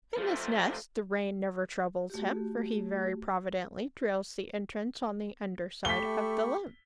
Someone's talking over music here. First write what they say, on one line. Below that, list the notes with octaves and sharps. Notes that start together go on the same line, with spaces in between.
In this nest the rain never troubles him, for he very providently drills the entrance on the under side of the limb.
F3 A3
A3 F#4 G4
A3 G4 B5 C#6 B6 G7